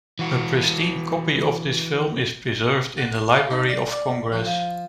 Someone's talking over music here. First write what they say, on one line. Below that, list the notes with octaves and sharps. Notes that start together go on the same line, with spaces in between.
A pristine copy of this film is preserved in the Library of Congress.
E3 F#4
F#4
C6
C#3
D#4
D5
D5
F3
F3